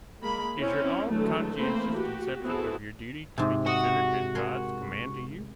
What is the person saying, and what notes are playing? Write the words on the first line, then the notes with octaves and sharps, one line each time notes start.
Is your own conscientious conception of your duty to be considered as God's command to you?
G#3 A#3 B5
C4 C#4 E4
D3 E3 F#3 G#3 A3
E3 A3 A#3 C4 C5 B5
F#4 G4
B3 C4 E4 F#4 G#4 A4
G#2 C3
F#4 D#5
A#4 G#5 C6